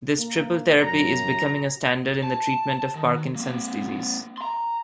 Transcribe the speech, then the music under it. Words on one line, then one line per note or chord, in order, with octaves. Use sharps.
This "triple therapy" is becoming a standard in the treatment of Parkinson's disease.
A#3
F#2 A#5
A5
D#3
A#3 C4
A#5 C6